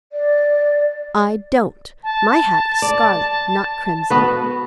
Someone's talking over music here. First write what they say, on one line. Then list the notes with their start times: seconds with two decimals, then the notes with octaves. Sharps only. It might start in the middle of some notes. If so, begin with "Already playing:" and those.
'I don't; my hat is scarlet, not crimson.
0.12 D5
2.03 A5
2.82 D5
4.10 B3 F#4 B4